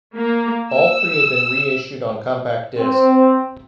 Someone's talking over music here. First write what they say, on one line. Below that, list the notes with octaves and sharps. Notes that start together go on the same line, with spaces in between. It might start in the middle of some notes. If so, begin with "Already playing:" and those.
All three have been reissued on compact disc.
A#3
E6
C4